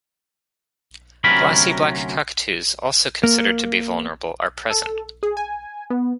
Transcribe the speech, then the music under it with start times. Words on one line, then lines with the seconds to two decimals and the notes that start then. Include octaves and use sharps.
Glossy black cockatoos, also considered to be vulnerable, are present.
1.24 D2 C3 F#3 C#4 A#4 B5
3.24 A#3
4.70 A4
5.23 G#4
5.37 G#5
5.90 B3